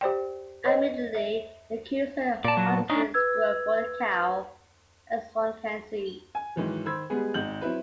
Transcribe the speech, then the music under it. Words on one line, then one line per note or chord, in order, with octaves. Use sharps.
Admittedly, the accuser honestly strove for the cow, as one can see.
G4 C5 D5 G5
B4 C#5 D#5
E5
A#2 D5 A5
F#3
D4 D#4 C#5
B4 E6 G#6
G#5
G#2 D#3 E3 F#3
D#3 C5 B5 E6 G#6
G3 G#3 B3 G#4
G#1 D#4 G6 F#7
F#3 C4 E4 B4